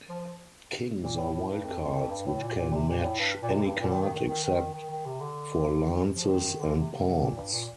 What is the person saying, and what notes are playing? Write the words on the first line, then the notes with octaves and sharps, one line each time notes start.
Kings are wild cards which can match any card except for lances and pawns.
F3
F3
A#2
A2
A2
G2
F2
F2
F2
G2
A2
A#2
A#2
C3
A#2
A2
G2
A#2
C3
F2
G2
A#2
D#3
D#3
D#3
D#3
D#3
D#3
D#3
C3
D3
F3
D#3
D3
C3
C3
C3
A#2
G2
A#2